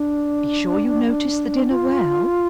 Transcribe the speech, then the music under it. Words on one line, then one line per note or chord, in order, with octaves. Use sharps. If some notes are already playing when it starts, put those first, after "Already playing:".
Be sure you notice the dinner well.
Already playing: D4
F4